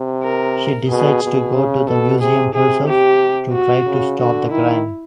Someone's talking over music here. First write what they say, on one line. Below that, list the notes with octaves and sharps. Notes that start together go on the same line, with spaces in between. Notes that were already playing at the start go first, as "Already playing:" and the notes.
She decides to go to the museum herself to try to stop the crime.
Already playing: C3
A#4
B2 G#4
B2
C#3
B2 A4
C3 G#4
C3 G#4
G4
F#4
C#3
D3 F#4
D#3 E4